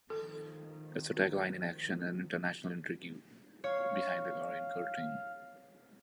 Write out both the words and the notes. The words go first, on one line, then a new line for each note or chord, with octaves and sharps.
Its tagline is Action and international intrigue behind the iron curtain.
D#3 F3 A4
C#5 F5